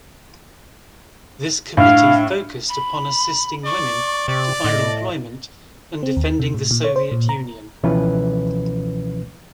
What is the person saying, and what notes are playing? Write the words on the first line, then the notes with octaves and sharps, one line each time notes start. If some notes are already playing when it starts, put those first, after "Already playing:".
This committee focused upon assisting women to find employment and defending the Soviet Union.
A2 D4 F5
B5
D5 C#6
C3 D5
A2 D#5
C4
D#2
C3
A2
A#2
C#5
C5
A#2
A#5
C#2 B2 E3 F3 C#4 B4